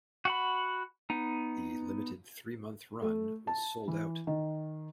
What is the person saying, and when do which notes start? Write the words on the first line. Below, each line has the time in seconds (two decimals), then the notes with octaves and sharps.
The limited, three-month run was sold out.
0.25 F#4 F#5 B5
1.10 B3 D#4
3.02 A3
3.47 A5
3.88 E3
4.27 D#3